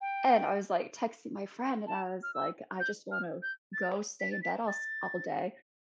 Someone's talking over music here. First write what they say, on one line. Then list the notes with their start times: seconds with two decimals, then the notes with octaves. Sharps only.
and I was, like, texting my friend, and I was, like, I, just, wanna go stay in bed all s all day,
0.01 G5
1.87 A5
2.23 F6
2.34 E6
2.80 G6
3.11 F6
3.43 G6
3.73 A6
4.20 B6
4.32 A6
4.42 B6
4.68 A6